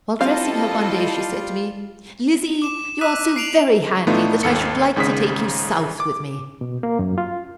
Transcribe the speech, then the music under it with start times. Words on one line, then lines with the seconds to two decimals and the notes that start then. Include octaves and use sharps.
While dressing her one day, she said to me: "Lizzie, you are so very handy that I should like to take you South with me."
0.21 G3 C4 E4 F4 A4 D#5 F5
2.62 D6 E7
3.01 E6 F#6 B6 D#7 E7
3.36 C7 D7 F7 F#7
4.07 A2 A3 B3 D4 D#4 F4
4.43 G#1 D#2 A4 C#7
4.96 G#1 G#2 C#3 D#6 B6
6.00 D6
6.61 B2
6.83 A#3
6.99 F#2
7.18 F4